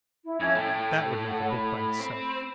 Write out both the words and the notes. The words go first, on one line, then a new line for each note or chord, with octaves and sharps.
That would make a book by itself.
E4
F2 F3 C#4 E5 G#6
A2 A3 G5
A4 C#5 F#5
B5
C4